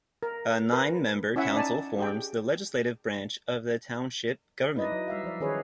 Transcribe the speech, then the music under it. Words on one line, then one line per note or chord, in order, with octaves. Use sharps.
A nine-member council forms the legislative branch of the township government.
A#4
A#4 B4 G#5
C#4 E4 C#5 E5 F#5 G#5
D#4 D5 G#5 A5
G4 G#4 G5
D#4 E4 B4 D5 D#5
F#3
G3 E5 F5
F3 D5
D#3 C#4 G#4 B4 C#5